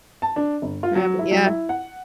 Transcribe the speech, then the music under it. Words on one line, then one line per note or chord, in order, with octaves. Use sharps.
Habit, yeah.
A5
D4
G1
F4
F#3
E4
F#3
E4
F#5